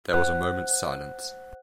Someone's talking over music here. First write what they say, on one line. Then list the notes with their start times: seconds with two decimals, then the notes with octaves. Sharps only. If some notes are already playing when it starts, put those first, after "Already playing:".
There was a moment's silence.
0.13 C5 F#5 F#6